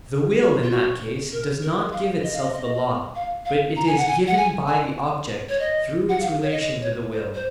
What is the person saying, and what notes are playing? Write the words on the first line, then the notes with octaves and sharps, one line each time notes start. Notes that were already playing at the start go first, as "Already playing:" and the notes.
The will in that case does not give itself the law, but it is given by the object through its relation to the will.
F#4
F4
F#4
A#4
A#4
A#4
F5
D#5
F5
D#5
D#5
F5
F5
A#5
G#5
F#5
G#5
F#5
G#5
G#5
C#5
D#5
F#5
F5
C#5
D#5
C#5
C5
C5